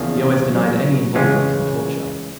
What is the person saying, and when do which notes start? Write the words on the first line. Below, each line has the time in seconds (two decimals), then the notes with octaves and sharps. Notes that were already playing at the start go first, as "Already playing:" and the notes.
He always denied any involvement in torture.
Already playing: E2 C#3 F3 A#3 D4
0.44 F#3
1.15 C#3 E3 G#3 C#4 F4